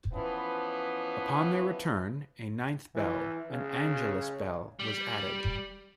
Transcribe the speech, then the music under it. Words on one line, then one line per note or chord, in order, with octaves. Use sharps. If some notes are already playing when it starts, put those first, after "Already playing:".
Upon their return, a ninth bell, an Angelus bell, was added.
E3 F3 B3 C#4 B4
E3
C#3
G3